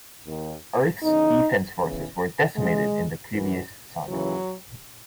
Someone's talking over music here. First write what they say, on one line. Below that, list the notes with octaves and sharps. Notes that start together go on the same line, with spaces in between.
Earth's Defense Forces were decimated in the previous saga.
D#2 D#3
E2 C#3 E3 D#4
E2 C#3 E3
E2 C#3 E3 G#3
F#2 E3
D#2 C#3 E3 F#3